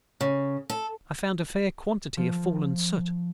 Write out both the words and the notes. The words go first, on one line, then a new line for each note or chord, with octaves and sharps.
I found a fair quantity of fallen soot.
C#3
A4
F3